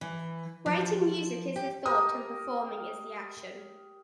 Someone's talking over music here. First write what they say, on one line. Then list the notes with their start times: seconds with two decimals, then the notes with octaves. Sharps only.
Writing music is the thought and performing is the action.
0.01 E3
0.66 F3
1.56 G4
1.86 G4 A#4 D#6